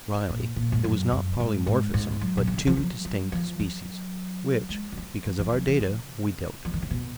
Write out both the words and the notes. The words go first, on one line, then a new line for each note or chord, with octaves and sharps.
Riley, it was not polymorphism, "but two distinct species"--which, because of our data, we doubt.
A#2
A#2
G#2
F#2
F#2
G#2
G#2
G#2
F#3
B2
C#3
D#3
F3
F#3
F#3
F3
F#3
G#3
F3
F#3
F3
F3
F#3
F3
C#3
F3
D#3
C#3
B2